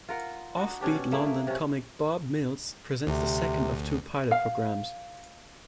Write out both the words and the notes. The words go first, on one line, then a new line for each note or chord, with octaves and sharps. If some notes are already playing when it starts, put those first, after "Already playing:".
Offbeat London comic Bob Mills presents the second of two pilot programmes.
F4 A#4 F#5
D4 D#4 F#4
B2 C#4 D4 G4
A3 A#3 E4 G#4
A#3
C3 C#4
D2 C3
F5